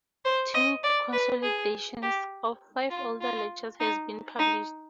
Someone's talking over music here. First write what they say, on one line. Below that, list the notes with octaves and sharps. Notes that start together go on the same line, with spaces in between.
Two consolidations of five older lectures have been published.
C5
D#5
D5
B4
G#4
G4
F4
F4
D#4
D#4